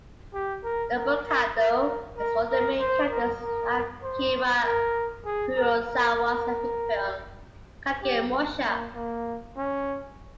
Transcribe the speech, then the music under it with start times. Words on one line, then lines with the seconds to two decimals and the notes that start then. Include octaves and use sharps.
Nobukado is one of the main characters in Akira Kurosawa's epic film "Kagemusha".
0.34 G4
0.64 A#4
0.96 A#4
1.26 A#4
1.57 A#4
2.18 A#4
2.49 A#4
2.80 C5
3.10 A#4
3.41 A#4
4.03 C5
4.64 A#4
5.25 G#4
5.57 A#4
5.88 A#4
8.02 G4
8.64 A#3
8.95 A#3
9.57 C#4